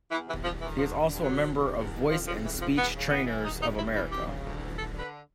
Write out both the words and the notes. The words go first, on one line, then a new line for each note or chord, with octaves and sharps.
He is also a member of Voice and Speech Trainers of America.
E2 E3
C3 E3
E2 F3
D#3 E3
D3 F3
D3
G2
G2 F#3
E2
C3
E2
D#3
F2 F3
C#3 F3
F2 E3
E3 F3
E2 B3
C#3
E2 B3
E3
E2 D#4
C3 D#4
E2 E4
E3 E4
D2 G4
C#3
D2
E3
D3 A4
D3
B4